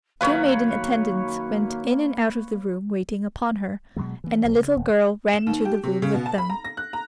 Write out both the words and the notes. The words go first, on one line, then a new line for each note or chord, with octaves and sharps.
Two maiden attendants went in and out of the room waiting upon her, and a little girl ran into the room with them.
F#2 D#3 F#3 A#3 B4 C#5 F5 B5
B2 D#3 F#3 G#3
E3 A#3
B1 F3 F#3
C#3
D#1
E7
D#2
G4
C3
C#3
B2
A5
B5
A#5
A#6
F#6
A#5